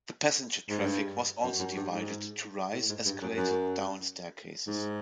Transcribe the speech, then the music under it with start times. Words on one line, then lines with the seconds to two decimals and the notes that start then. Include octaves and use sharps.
The passenger traffic was also divided, to rise - escalator, down - staircases.
0.69 G#2
0.79 G2
1.43 F#2
1.59 F#2
1.76 G2
1.92 G#2
2.73 A2
2.89 G#2
3.06 G2
3.22 F#2
3.37 F#2
4.67 G#2